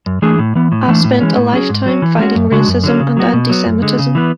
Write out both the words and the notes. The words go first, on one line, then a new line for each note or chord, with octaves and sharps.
I've spent a lifetime fighting racism and anti-Semitism.
F#2
E3 A3 D4 G#4
A2
E3 B3
A2
E3 A3 D4
A2
E3 G#3 C#4
A2
F#3 C#4 G#4
G#2
F#3 C#4
E3
G#3 C#4 F#4
F#2
C#3 G#3 D4 F#4
F#2
D3 F#3 C#4
C#3
F#3 B3 F#4
B2
F#3 B3
F#2
D3 G#3
C#3
E3 B3